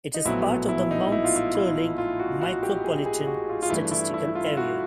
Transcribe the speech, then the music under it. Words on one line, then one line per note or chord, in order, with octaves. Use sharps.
It is part of the Mount Sterling Micropolitan Statistical Area.
D#4
A#1 A2 F#3 B3 E4
E4
D#4
E4
F4
E4
E4
F4
F#4
F#4
G4
G#4
G#4
F#4
F4
F4
G2 E3 A3 D4 E4
E4
E4
F4
F#4